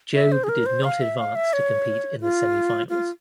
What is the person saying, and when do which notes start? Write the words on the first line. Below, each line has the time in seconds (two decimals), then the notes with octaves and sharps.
Jobe did not advance to compete in the semifinals.
0.14 E5
0.32 C5
0.44 G#4
0.49 A#4
0.66 C5
0.84 F5
1.02 E5
1.18 F5
1.35 E5
1.53 C#5
2.21 F4
2.90 F4